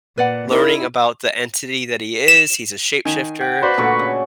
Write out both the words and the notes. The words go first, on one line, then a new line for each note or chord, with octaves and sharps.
learning about the entity that he is, he's a shapeshifter,
A#2 B4 D5 F#5
D#4 E4 A#4 D5 D#5
E7
D#3 G#5
F#5 G5
F#4 B4 C5 D5
A#2 D3 A3 F#4 C#6
C#3